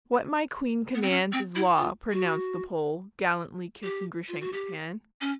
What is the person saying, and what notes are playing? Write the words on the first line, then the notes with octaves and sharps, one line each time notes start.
"What my queen commands is law!" pronounced the Pole, gallantly kissing Grushenka's hand.
B3
C4
C#4
C4
E4
F4
F#4
G4
F4
F#4
G4
C#4